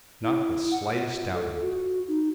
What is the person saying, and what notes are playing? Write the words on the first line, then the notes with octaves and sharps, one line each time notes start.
"Not the slightest doubt of it."
E4
F#5
F4
A4
F#4
D#4